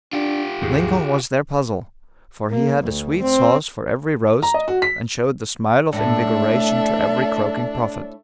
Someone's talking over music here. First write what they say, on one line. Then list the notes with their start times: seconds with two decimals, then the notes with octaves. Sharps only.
Lincoln was their puzzle; for he had a sweet sauce for every "roast," and showed the smile of invigoration to every croaking prophet.
0.13 D4 F4 G4
0.62 D#2 G#2 G#4
2.50 A#3
2.82 D2
3.22 C4
4.43 A#5
4.54 D#5
4.68 F#4
4.82 B6
5.93 A2 A3 D4 A4 E5